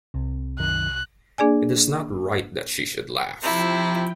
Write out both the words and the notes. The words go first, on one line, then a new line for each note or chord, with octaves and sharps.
It is not right that she should laugh!
C2 C3
F#2 D#3 F#6
A#3 D4 G#4 D5 G#5
C3 F3 E4 G5